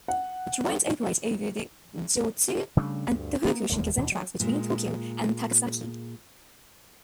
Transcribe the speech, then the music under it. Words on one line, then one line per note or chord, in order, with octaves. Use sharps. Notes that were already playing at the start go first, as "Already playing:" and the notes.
Trains operate over the Joetsu and Tohoku Shinkansen tracks between Tokyo and Takasaki.
F#5
C#3 G3 A3 D4
D2 G2
A#3 B3
E1 D#2 G#3 A#3
D#2 B2 E3
F#3
A#2 G#3